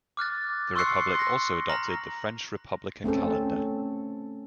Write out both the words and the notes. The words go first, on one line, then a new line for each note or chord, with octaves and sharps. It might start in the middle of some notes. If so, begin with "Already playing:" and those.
The republic also adopted the French Republican Calendar.
D6 F6 F#6 A6
C6 C#6 E6 F#6 C7 C#7
C6 A#6
A#5 F6 A#6 F#7
A3 C4 C#4 A4